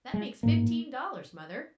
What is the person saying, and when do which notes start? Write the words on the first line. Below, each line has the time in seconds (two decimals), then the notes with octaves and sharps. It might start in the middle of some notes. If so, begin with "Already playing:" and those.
That makes fifteen dollars, mother.
0.14 G#3
0.43 A1 G#2 A#3